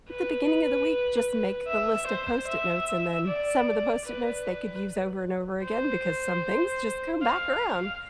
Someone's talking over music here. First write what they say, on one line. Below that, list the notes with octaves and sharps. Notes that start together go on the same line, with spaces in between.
at the beginning of the week, just make the list of Post-it notes and then some of the Post-it notes they could use over and over again because some things just come back around,
B4
E5
C5
E5
D5
B4
C5
F5